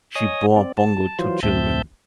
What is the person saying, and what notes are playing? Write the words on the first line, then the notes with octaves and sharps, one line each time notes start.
She bore Bongo two children.
C#5 D#5 G#5 D#6
C4 D5
A5
E3 F#3 F4 C5
D2 A2 C4 E5 A5 G6